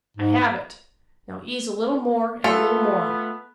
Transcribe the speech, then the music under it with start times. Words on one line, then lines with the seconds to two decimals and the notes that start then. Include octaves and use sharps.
I have it; now ease a little more and a little more.
0.17 G#2
2.44 A3 B3 F4 A4